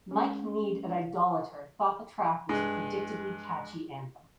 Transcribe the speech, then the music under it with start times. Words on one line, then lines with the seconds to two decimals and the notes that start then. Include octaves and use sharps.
Mike Nied at "Idolator" thought the track was "a predictably catchy anthem".
0.11 G#3 C#4
2.49 G2 G#3